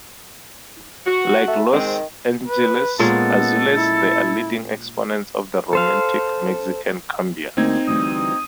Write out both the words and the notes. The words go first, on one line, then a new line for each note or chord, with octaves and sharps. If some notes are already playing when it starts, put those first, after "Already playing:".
Like Los Angeles Azules, they are leading exponents of the romantic Mexican cumbia.
F#4
A3
D#3 G#3 C4
B4
A#2 G#3 B3 C#4 A4
E4
A4 C5 F5
D2 A#3 C4 D#4 G#6
D2 E3 G3 D#6